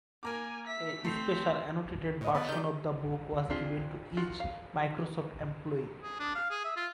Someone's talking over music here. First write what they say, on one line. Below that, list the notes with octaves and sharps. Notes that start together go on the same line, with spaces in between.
A special annotated version of the book was given to each Microsoft employee.
A#3 A#4 G#5 A#5 D6
E5 B6
A3 C4 B6 C7 F7
B6
A2 C#5 D#5
B3 D5 B5
D#3 G3 G6
C4 D4 F4 G4 G#4
F4 F#4
F5
G#4
D4
F5
G#4
E5
F4